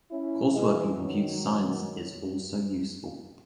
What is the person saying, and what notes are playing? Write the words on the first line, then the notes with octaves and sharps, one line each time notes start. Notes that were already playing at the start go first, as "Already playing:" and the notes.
Coursework in computer science is also useful.
C#4 E4
E3 G#3
D#3 F#3